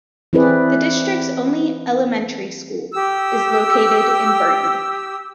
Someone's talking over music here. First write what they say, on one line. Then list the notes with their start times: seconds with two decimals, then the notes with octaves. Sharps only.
The district's only elementary school is located in Burton.
0.33 E3 C4 E4 G#4 B4 D5
2.92 G4 D#6 E6